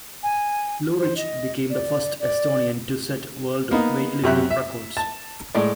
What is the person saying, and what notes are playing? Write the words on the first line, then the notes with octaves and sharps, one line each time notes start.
Lurich became the first Estonian to set world weightlifting records.
G#5
C5
D#5
D5
D5
A#3 B3 D#4
F#2 C3 E5 F#6
E5
A5
A2 G#3 D5